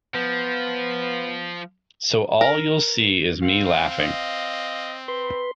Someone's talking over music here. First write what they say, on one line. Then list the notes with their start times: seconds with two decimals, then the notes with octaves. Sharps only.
So all you'll see is me laughing.
0.15 F3 B3
2.41 A#4
3.42 C4 F5
3.99 D#5
5.08 B4 C6